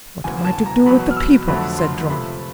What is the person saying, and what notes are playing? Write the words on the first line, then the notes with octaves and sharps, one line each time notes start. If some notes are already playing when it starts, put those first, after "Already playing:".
"What am I to do with the people?" said Dron.
E1 D2 C#3 E3 G#5
A5
A#5
E2 B2 F#3 B3 B5
F6
E6
F1 F2 D3 F#3 A3 B5
C6
C#2 C3 F3 A3 B5